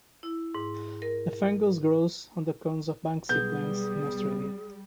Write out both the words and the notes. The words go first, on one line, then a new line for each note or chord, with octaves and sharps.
The fungus grows on the cones of "Banksia" plants in Australia.
E4
G#2
A#4
B1 G3 B3 G#4 G6